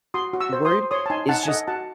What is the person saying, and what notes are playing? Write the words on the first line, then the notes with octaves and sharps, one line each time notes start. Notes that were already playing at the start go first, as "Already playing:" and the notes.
worried, is just
F#4 C6 D#6
F#4
C#6 E6
C5
C6 D#6
C5
C#5 C6 D#6
A5
D#4 G#5 C6
D#4 F#5 A5
G#5
A4 D#5 F#5
F#4 F#5 A5